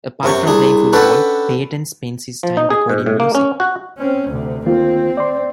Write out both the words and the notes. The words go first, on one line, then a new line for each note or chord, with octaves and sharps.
Apart from playing football, Payton spends his time recording music.
F#2 C3 C#4 C#6
C2 D4 G#4
C#4 D4 A4 B4 F#5 G5
F3
D#4
G#4
G#2
A2
A#3
C#4
F#4
C4 C#4
D2 C3
D#3 A#3 C4 F4
D5 C6